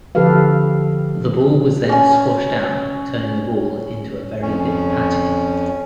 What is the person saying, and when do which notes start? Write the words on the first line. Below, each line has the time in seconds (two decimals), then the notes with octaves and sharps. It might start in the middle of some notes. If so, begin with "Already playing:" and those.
The ball was then squashed down, turning the ball into a very thin patty.
0.15 D3 F3 G4 A4 B4 F5
1.89 C#4 G#5
4.42 F2 C#4